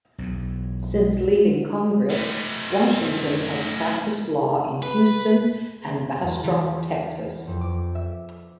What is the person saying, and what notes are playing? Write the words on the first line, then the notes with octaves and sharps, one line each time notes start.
Since leaving Congress, Washington has practiced law in Houston and Bastrop, Texas.
B1 E2
A3 D#4
B4
E2
E3
F2
D6
E5